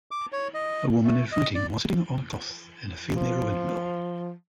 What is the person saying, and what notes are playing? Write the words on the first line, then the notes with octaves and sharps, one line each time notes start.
A woman is writing while sitting on cloth in a field near a windmill.
D6
C#5
D#5
A3
D#5
D5
F3